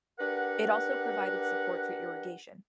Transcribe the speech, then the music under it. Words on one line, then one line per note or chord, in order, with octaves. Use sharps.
It also provided support for irrigation.
D4 G4 A#4 B4 F#5